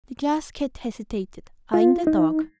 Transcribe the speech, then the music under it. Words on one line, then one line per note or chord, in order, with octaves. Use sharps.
The Glass Cat hesitated, eyeing the dog.
F4
D#4